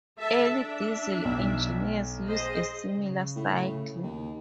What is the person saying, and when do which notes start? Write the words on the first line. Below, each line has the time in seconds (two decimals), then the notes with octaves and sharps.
Early Diesel engines use a similar cycle.
0.20 A4 E5 A5
0.50 D4 E5
1.25 B1
2.26 G#4 C5 D#5
2.98 C#3
3.36 A2
4.03 D#2